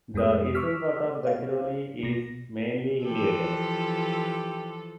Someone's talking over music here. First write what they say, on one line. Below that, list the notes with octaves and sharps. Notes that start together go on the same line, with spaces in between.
The eastern part of Gadchiroli is mainly hilly area.
F2 G#3 B3 D#6
C#6 D6 E6 F6 B6
C#5 F5
B2 A#6
E3 F3 G4 A4